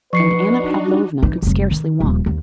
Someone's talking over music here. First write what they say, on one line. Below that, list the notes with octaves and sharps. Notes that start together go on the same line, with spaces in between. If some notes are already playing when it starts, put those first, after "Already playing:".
And Anna Pavlovna could scarcely walk....
F3 D4 D#4 F#4 B4 C#6 C7 C#7
E3 D#4
F1 F#3
D#3
D#1 F3
D#2